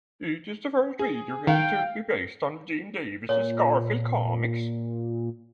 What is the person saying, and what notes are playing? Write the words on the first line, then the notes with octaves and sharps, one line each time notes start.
It is the first video game to be based on Jim Davis' "Garfield" Comics.
G#4
D#3 F5 G5
A#2 C#5